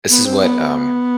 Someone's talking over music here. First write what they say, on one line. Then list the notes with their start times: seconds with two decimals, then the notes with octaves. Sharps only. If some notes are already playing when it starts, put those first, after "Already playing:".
this is what, um,
0.09 B3
0.25 C4
0.41 B3